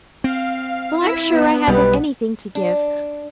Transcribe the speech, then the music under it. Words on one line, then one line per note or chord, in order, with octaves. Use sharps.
Well, I'm sure I haven't anything to give.
C4 F5
E4 B6 E7
B3
B1 G3 D#4 B4
D4